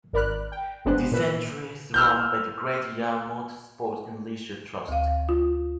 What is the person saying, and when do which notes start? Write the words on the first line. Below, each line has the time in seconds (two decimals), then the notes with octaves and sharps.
The centre is run by the Great Yarmouth Sport and leisure Trust.
0.13 G#1 A#4 D5 B5 F6 F#6
0.52 G5
0.85 G1 G#3 B3 D4 C5 F#6
1.12 A#2 B4 E6
1.94 E6 F6 G6
4.88 D2 F5
5.29 F4